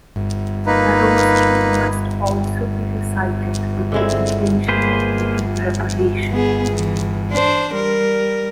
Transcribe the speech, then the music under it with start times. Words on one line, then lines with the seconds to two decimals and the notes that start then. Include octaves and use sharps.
The Rosary must also be recited with the intention of making reparation.
0.66 A#3 D#4 B4
3.92 D3 G#3 C4 E4
4.68 A#3 G#4 B4 C5
6.31 B3 G#4
6.72 E3
7.32 D4 C5
7.74 G3 A#4